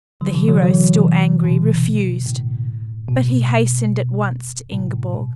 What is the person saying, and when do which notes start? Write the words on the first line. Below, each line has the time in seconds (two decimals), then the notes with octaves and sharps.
The hero, still angry, refused; but he hastened at once to Ingeborg.
0.21 D3 F#3
0.35 C3 E3
0.48 D3 F#3
0.62 F#3
0.73 E3
0.84 D3
0.96 C3 E3
1.44 B2 D3
2.26 A2
3.08 B2
4.72 A2 C3
5.13 B2